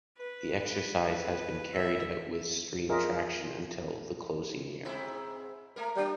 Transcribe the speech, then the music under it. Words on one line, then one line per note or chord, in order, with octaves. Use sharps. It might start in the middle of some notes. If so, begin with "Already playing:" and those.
The exercise has been carried out with steam traction until the closing year.
B4
B4
E5
F4 G#4 A#4 C#5 D#5 E5
G#2 C4 E4
A3 A#3 A#4
G3 A#3 D4